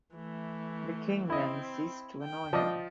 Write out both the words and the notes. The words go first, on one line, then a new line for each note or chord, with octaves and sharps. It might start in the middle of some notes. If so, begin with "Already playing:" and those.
The king then ceased to annoy her.
E3 A3
C4 E4 D#5
G5
F3 D5 D#5